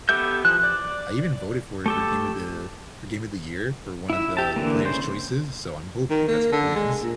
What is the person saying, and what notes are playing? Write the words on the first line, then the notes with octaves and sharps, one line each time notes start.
I even voted for it for Game of the for Game of the Year for one of the the Player's Choices, so I'm hoping that's what wins.
B3 G4 A4 E5 G6
E3 F3 F#6
D5
A3 G4 A4
E4 E5
G4 A5
D3 E3 A#3
C#3 C5
D#3
A#3
D3
G#3
A#2